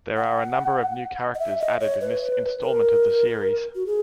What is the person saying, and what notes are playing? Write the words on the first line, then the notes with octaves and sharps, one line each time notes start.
There are a number of new characters added in this installment of the series.
F#5
D#5
E5
D#5
C#5
B4
A#4
F#4
G#4